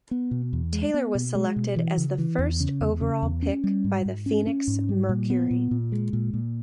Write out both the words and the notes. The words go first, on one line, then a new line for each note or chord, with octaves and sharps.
Taylor was selected as the first overall pick by the Phoenix Mercury.
B3
B2
E2
G#3
B3
B2
G#3
B2
E3
C#3
E3
E2
C#3
E2
C#3
E2
C#4
G3
G#2
G#2
C#4
C#4
G#2
G3
A#2
B3
A#2
A#2
G#3
A#2
A#2